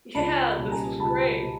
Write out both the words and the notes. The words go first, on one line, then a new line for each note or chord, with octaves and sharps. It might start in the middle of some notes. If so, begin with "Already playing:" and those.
Yeah, this was great
C#2 A5 B5
B2 G3 A#3 C#4
G#5 A#5
C#2 A5 B5
B2